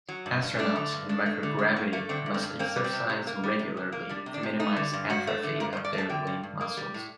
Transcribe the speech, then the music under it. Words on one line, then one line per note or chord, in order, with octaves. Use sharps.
Astronauts in microgravity must exercise regularly to minimize atrophy of their limb muscles.
F#3
G2
G2
A3 D4
D3
G2
G2 D4
A3
D3
G2 D4
G2 C4
A3 A#3
D3 C4
G2
C4
G2
A#3 C4
G3
C4
C3
C3
A#3
G3
C3
C3
A#3
G3 D4
C3
D4
C3
A3 D#4
D3
G2
G2 F#4
A3
D3
G2 A#4
C5
G2
D5
A3 A5
D3 G5
G2
G2
A#3
G3
A2